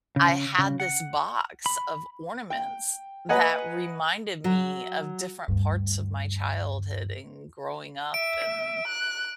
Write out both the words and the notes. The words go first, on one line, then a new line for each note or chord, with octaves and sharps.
I had this box of ornaments that reminded me of different parts of my childhood and growing up and
C#3
C#3
F#5
B5
G5
B4 D#5 F#5 G#5 A#5
F#3
D2 G2
E5 D7
F#6